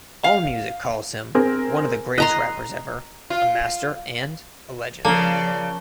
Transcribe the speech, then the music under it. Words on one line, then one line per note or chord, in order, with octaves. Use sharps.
Allmusic calls him "one of the greatest rappers ever", "a master", and "a legend".
F5
C4 G#4 A#4
D#5 A#5 C6 F#6
F4
C#3 F3 A#3 D5 A5 G7